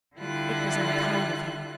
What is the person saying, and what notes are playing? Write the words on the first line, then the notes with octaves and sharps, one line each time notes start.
It was unkind of him.
D3 G3 E4 F4 F#6